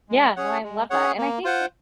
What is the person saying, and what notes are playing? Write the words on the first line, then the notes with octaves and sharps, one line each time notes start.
Yeah, no, I love that. And I think
G#3
C#4 G#4 C#5 F#5
G#3
C#4 G#4 C#5 F#5
A#3
F4 C5 F#5